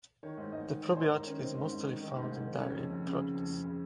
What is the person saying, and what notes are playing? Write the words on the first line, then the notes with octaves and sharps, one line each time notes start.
The probiotic is mostly found in dairy products.
D#3 C#5
G#2
G#2 D#5
D#3
D#3 C#5
G#2 C5
G#2 A#4
D#3 C#4
D#3 C4
G#2
G#2
D#3
D#3
G#2
G#2
D#3
C#3 C#4
F2
F2
C#3
C#3
F2
F2
C#3